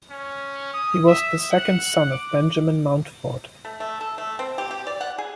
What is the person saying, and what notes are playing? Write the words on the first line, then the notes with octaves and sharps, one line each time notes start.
He was the second son of Benjamin Mountfort.
C#4
D#6
E5
F#5
D6
A3
A3
A4
A3
C4
G4
G4
D5
F#5
G#4